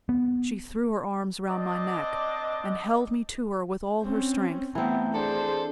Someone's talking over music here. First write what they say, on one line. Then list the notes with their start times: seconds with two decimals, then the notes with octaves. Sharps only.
She threw her arms round my neck, and held me to her with all her strength.
0.09 B3
1.49 C4 D4 D5 D#5 D6
4.02 C4 C#4
4.75 E3 A3 B3 C4 A#5
5.14 D4 G#4 A4 C5 D5